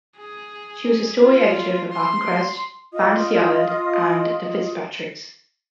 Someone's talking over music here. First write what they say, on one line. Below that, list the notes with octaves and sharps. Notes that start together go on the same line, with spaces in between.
She was the story editor for "Falcon Crest", "Fantasy Island" and "The Fitzpatricks".
G#4
F4
C6
F4 D#5 D#6